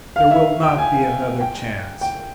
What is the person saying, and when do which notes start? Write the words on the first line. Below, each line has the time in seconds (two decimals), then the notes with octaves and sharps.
There will not be another chance.
0.16 F5
0.31 E5
0.63 G5
0.78 G#5
1.40 G5
2.01 G5